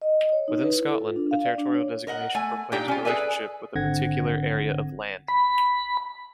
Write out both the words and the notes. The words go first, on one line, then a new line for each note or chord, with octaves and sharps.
Within Scotland, a territorial designation proclaims a relationship with a particular area of land.
D#5
C#5
D#4
B4
E4
A4
F4
D4
F5
D5
D4
C#5
A#4 D#5 F#5
A3 G#5
A#2 D4 D#4 G4 G5 A#5
C#4 F4
G#4 A4 B4 D5 E5 G#5
G#1 D3 C4 F#5 G#6 A#6
B5